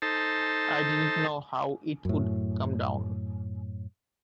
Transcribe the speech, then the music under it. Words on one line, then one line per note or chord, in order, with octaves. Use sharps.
I didn't know how it would come down.
D#4 A4 C5 A5
F#2 A2